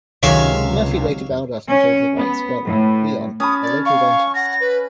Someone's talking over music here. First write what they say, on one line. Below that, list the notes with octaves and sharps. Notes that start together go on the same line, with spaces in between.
Murphy later bowed out in favor of Ike's brother, Leon, a local dentist.
C#2 C3 D#3 F#3 G#3 C#5 E5 F5
C#4
B3
A2
C#4 A5 B5 D#6
D5
F5 C#6
F#5 A#6
B4